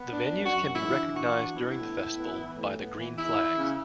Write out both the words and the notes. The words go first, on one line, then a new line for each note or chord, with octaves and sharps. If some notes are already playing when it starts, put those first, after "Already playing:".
The venues can be recognised during the festival by the green flags.
Already playing: B3
D4
F#2
F#4
F#2
E3 E4
D4
E3 F#4
D4
B3 E4
A2
A2
B3
E3
A2
B3
E3
E2 E4
E2
C#3